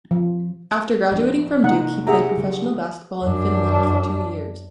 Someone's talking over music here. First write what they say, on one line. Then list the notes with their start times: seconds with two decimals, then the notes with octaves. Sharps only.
After graduating from Duke, he played professional basketball in Finland for two years.
0.11 F3
1.12 D1 F3 D4
1.64 C3 A#3 D#4 F#5
2.07 G4 G#4 E5 F#5 A#5
2.38 C#3 F#3 G3
3.23 F#2 D4